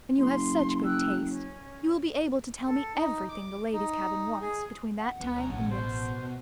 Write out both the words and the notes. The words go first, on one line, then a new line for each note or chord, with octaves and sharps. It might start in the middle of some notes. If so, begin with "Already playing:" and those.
And you have such good taste, you will be able to tell me everything the ladies' cabin wants between that time and this.'
F#1 C6
G5 E6 F#6
C#4
A4
D#4
D6
D#4
G#4
F#5
D2 A3 B3
B1 C#4 A#5
A1 B3 F#5
B2 C5